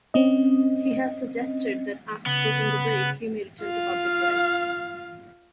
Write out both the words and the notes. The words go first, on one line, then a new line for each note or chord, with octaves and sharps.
He has suggested that after taking a break, he may return to public life.
C4 C#4 D#5
C#3 B3
F4 F5